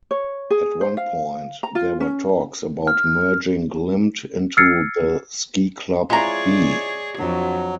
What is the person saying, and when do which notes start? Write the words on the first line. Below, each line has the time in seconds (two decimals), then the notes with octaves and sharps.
At one point, there were talks about merging Glimt into the Ski Club B.
0.11 C#5
0.50 G#4
0.81 C5
0.97 F5
1.63 A#5
1.75 F4
2.00 C#4
2.87 F6
4.57 E6 F6 G#6 A6 C7 C#7
6.10 G#3 C4 E4 F4 G#4 C#5 D5 A#5
7.18 F2 F#3 D4 F#4